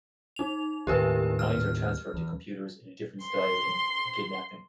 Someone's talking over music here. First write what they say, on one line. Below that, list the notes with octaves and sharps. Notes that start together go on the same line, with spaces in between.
Minds are transferred to computers in a different style in "A Kidnapping".
D#4 F7
D#2 A2 G4 A#4 B4
F6
E2
C6